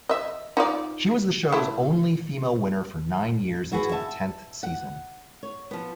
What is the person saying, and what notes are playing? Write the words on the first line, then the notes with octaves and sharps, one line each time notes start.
She was the show's only female winner for nine years until the tenth season.
D#5 E5
D#4 F4 D5
A3 E4
E4 F#4 G#4 B4
E5 A5
F#5
C#5
F3 B3